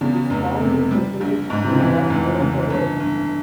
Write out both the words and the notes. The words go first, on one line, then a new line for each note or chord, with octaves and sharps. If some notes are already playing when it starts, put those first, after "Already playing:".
It is found in temperate areas throughout the world.
E2 C#3
F1
C3
G3
A#1
G#2
C3
C#3
F2 E3
F1
C#3
G1
G1